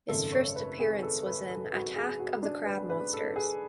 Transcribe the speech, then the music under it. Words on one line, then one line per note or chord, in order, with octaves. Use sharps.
His first appearance was in "Attack of the Crab Monsters".
G#1 F#2 C#3 A4
C#5
B4
G#4
A4
B4
A4
F#4
G#4
F#4
D4
B4
B4
A4
G#4